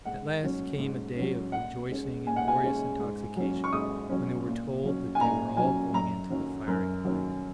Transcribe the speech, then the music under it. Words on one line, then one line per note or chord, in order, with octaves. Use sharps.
At last came a day of rejoicing and glorious intoxication, when they were told that they were all going into the firing-line.
G#2 F#5
F#3 C#4
G#2
F#3 C#4
A#2 F#5
G#3 C#4
A#2 G#5
F#5
G#5
G#3 C#4
G#2
F#3 C#4
C#6
G#2 D#6
F#3 C#4
A#2
F#3 C#4
G#5
A#2 A#5
F#3 C#4 G#5
F#2 A#5
D#3 F#3 C#4
F#2 A#4
D#3 F#3 C#4